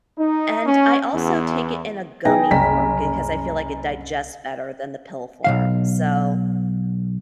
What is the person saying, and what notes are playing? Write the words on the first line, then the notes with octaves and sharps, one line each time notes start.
and I also take it in a gummy form because I feel like it digests better than the pill form. So,
D#4
C#4
E2
F#3 B3 D#4 G#4 G5 G#5 A#6
F#1 C2 G#5 A#5 B6
B1 C#3 F5